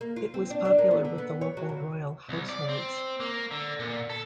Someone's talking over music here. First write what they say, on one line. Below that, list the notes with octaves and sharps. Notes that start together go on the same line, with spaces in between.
It was popular with the local royal households.
A#3
F4
C4
D4
D4
A#3
B3
D3
B3
C#5
F#3
C#3
C2
D5
C4
A#3
D3
A#2
A4